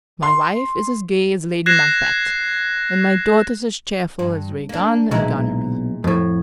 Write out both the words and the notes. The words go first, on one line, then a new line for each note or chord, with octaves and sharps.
My wife is as gay as Lady Macbeth, and my daughters as cheerful as Regan and Goneril.
C6
F#6 G#6 A#6 C7 E7
G2
A#3 D4
B1 A#2 G#3 E4
F2 A2